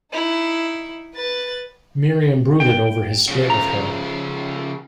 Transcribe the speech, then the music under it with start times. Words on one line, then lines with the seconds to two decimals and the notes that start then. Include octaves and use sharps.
Miriam brooded over his split with her.
0.12 D#4 E4
1.15 B4 A6
2.60 G5
3.28 C#3 F3
3.50 A#5